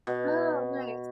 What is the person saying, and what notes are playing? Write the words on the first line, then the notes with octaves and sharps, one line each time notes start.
Oh, nice.
B2